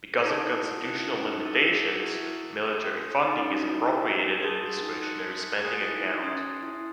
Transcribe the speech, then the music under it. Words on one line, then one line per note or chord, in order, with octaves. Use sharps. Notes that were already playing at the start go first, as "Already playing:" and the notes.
Because of constitutional limitations, military funding is appropriated in a discretionary spending account.
D#4 A5 D#6 G#6
E4
F#4
F#4
E4 F#6 C#7 E7
C#4
D#4
E4 E6 A6 D#7 F#7
F#4
G#4
F#4
E4 C#6 G#6 D#7 F#7
G#5 C6 D#6
D#4 D#6 A6 C7 E7
D#4
C#4
D#4
F#4
E4
G#5 C#6 E6
G#4 A5 C6 D#6 A6 D#7
F#4
D#4
F#6 C#7 F#7
G#4 G#5 D#6 F#6 A6 C7
F#4
E4
D#4
C#4 C6 D#6 G#6 C7
E4